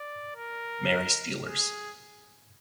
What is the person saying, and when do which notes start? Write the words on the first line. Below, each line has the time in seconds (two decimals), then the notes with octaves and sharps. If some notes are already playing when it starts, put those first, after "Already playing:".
Marie Steelers.
Already playing: D5
0.36 A#4
1.45 G#4